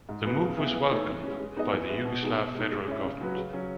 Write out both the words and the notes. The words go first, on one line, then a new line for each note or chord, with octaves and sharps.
The move was welcomed by the Yugoslav federal government.
G#2
E3 B3 F#4 B4
C#3
E3 B3 E4
E3
A3 D#4 A4 C#5
E3
G#3 C#4
G#3
B3 D#4 G#4 D#5
E3
G#3 B3 E4
B2
G#3 D#4 G#4
B2
G#3 D#4
G#3
C#4 E4
C#3
F#3 C#4 F#4 B4
C#3
F#3 C#4